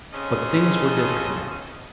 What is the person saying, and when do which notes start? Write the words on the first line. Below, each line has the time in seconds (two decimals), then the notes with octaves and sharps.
But things were different now.
0.13 C#3 C4 C#4 A4 D#5